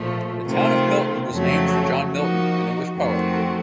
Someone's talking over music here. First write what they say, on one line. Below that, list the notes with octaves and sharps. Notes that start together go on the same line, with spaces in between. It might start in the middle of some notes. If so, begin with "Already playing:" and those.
The town of Milton was named for John Milton, an English poet.
Already playing: A#2 F3 A3
C3 D#3 A3 C4 F4
F2 C#3 F#3 A3
F3 A#3 D#4 F#4
F2 D#3 A3 C4 F#4